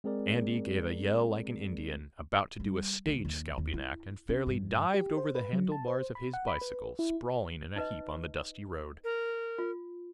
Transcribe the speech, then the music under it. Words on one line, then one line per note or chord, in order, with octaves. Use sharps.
Andy gave a yell like an Indian, about to do a stage scalping act, and fairly dived over the handlebars of his bicycle, sprawling in a heap on the dusty road.
G#3 C4 G#4 A#4 D5
G3
D2
D#2
D#2
E4
C#4
G2
G4
C5
B4
F#3
A5
C5
B5
F#5
B5
B4
E4
D#4 B4 D#5
A#4
F4